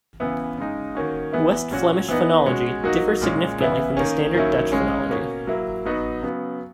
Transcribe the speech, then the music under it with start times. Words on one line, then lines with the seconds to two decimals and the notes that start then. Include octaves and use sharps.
West Flemish phonology differs significantly from the standard Dutch phonology.
0.20 C#3 E3 B3 E4
0.58 C#3 G#3 D#4
0.95 D#3 A#3 C#4 F#4
1.33 E3 B3 E4
1.71 A#2 F#3 C#4 F#4
2.09 E3 B3 D#4
2.46 B2 G#3 C#4 F#4
2.84 F#3 A#3 D#4 F#4
3.22 A#2 G#3 C#4
3.59 C#3 E3 B3 E4
3.97 D#3 A#3 C#4
4.34 D#3 F#3 A#3 C#4 E4
4.72 C#3 G#3 C#4
5.10 B2 A#3 C#4
5.47 F#3 A#3 E4
5.86 F#3 B3 D#4 F#4
6.22 C#3 F#3 B3